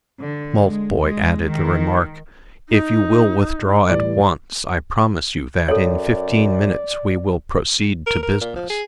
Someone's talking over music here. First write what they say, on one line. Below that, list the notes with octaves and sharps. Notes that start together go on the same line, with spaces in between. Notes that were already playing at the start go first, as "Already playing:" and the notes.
Maltboy added the remark: "If you will withdraw at once, I promise you that in fifteen minutes we will proceed to business."
D3
G#3
G#3
D#3
D#4
A2 E3 G3 D5
F#2 A4 C#5 D5
A#4
A#4
A#2
F3
G#4